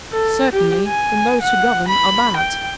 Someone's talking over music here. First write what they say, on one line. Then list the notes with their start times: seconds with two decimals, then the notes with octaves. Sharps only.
"Certainly, when those who govern are bad."
0.13 A4
0.52 G4
0.87 G#5
1.42 F#5
1.88 B5
2.37 G5